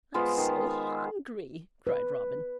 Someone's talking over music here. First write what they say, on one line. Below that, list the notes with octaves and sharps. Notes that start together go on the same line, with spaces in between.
"I'm so hungry," cried Robin.
G#3 B3 F4 C5
D#3
B4